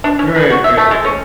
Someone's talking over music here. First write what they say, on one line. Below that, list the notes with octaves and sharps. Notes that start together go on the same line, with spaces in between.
Right, right, right, right.
D4
C#4
B4
F#4
E5
A3
G#3
C#4